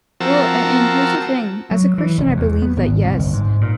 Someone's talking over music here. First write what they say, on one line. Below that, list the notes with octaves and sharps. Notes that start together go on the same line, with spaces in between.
Well, and and here's the thing. As a Christian, I believe that, yes,
F3 C4 F#4 A#4 A5 E6
F#3
E3
F1
E2
B3
G#1
C2
G1
G#2
A#2